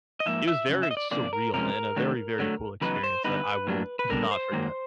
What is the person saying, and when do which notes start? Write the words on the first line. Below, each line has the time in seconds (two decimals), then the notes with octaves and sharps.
it was very surreal and a very, very cool experience that I will not forget.
0.20 D#5
0.26 G#2 F3 A#3 E5
0.47 E5
0.69 F#2 C#3
0.83 E5
0.91 D#5
0.97 D5
1.11 C3 F3 A#3 D4 D5
1.33 A#4
1.54 C3 F3 G#3 C#4 A#4
1.96 D#3 F#3 A3 D4
2.39 D3 F#3 A3
2.81 E2 C#3 F#3 B3 D#4 B4
3.04 C5
3.24 D3 G3 B3 D#4 B4
3.67 A2 F#3 A#3 D4
3.99 B4
4.10 D3 G3 B3 D4 A#4
4.31 C5
4.52 G#2 D#3 F#3 A#3